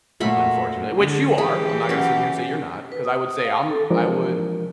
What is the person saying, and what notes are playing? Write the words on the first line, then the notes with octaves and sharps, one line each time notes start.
Unfortunate which you are, I'm not gonna sit here and say you're not 'cause I would say I'm I would,
A#2 A3 F#4 B5
D3
E3 G4 G#4 B5
F#3 C#4
B4
D#6
F5
A4
E3 F3 G#3 D4 A#4